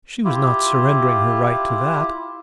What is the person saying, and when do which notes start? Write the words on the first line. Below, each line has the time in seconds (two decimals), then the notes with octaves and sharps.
She was not surrendering her right to that.
0.25 E4 F4 G4